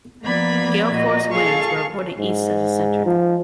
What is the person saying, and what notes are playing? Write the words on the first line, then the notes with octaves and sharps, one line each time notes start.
Gale-force winds were reported east of the center.
F3 A#3 B3 D5 B5 G#6
A#2 F#4 D#5
G#4 A4 F5 C#6
G#2
F3